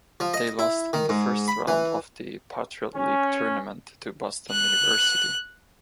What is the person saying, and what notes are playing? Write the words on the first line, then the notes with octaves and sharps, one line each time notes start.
They lost in the first round of the Patriot League Tournament to Boston University.
F3
D#5
E4
D#3
G#2
B5
E3
C#4
F#6